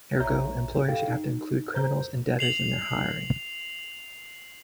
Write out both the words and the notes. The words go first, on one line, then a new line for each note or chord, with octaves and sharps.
Ergo, employers should have to include criminals and debtors in their hiring.
A#1 C#5 E5 A#5 G6
G4 A4 F5 G5
D#4
A#4 C5 A#5 G6
C7 F7 F#7